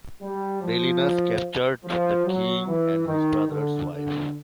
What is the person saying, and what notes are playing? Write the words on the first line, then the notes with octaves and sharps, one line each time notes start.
Belinus captured the king and his brother's wife.
G3
F3
F3
F#3
E3
D#3
D3
D3